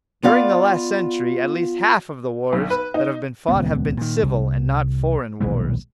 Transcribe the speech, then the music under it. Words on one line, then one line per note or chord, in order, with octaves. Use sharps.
During the last century at least half of the wars that have been fought have been civil and not foreign wars.
B3 F4 D5 F5
B1
B4
D#4
D#1 C#2 B3
A#2 D#3
C2
D#1 B1 E3 G#3